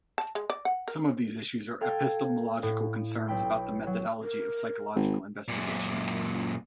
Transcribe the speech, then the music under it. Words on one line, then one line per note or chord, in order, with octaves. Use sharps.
Some of these issues are epistemological concerns about the methodology of psychological investigation.
A5
G#3
D5
F#5
A#4
A4 F5 G5 C6 G#6
A2
B1 E4 G5 C6
F#3
A#4
G#1
F#2 A#2